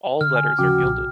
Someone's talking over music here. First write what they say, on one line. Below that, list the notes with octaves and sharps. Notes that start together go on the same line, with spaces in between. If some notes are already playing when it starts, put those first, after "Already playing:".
All letters are gilded.
D3 F6
G#5
D#1 C#3 F3 C#4 F#4 G5 D6
B1 A#2